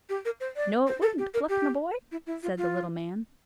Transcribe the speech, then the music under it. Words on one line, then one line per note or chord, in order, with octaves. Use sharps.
"No, it wouldn't, Gluck, my boy," said the little man.
G4
A#4
C5
D5
C5
A4
G4
A#4
G4
E4
E4
F4
F4